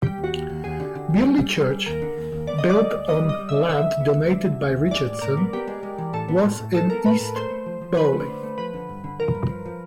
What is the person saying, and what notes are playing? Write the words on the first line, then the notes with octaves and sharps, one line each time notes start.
Bierley Church, built on land donated by Richardson, was in East Bowling.
G3 G4
D#2
F#4
D#2
D#2
D#2 G#4
D3
D3
D#2
G3
G3
G3
G3
D#2 A#4
D3
D#2
D#2
B3 D5
D3 D#5
D5
G3
D2
B3 D#5
G3
D#5
G3
E5
B3
D3 E5
D2
B3
D2
D3
D3
D2
D2
G#3 D5
A2
A2 A#4
B3
B3 G4
G#3
G#3
E3
A2 A4
B3
A2
A2
G#3 A4
B3 A#4
A2 B4
A2
A3 C5
A3
F3
F3
F3 B4
A3
D3
A3
F3 B4
D3
G2
D3
F3 A#4
G2
F3
F3